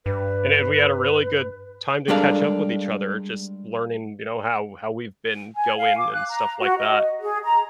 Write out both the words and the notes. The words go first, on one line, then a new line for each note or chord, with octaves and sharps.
And then we had a really good time to catch up with each other, just learning, you know, how how we've been going and stuff like that,
G2 B4
G3 G#3 D4 A4 A#4 F5
G#5
F5
D6
F#6
A#5
F#4
D#5
G#4
A#5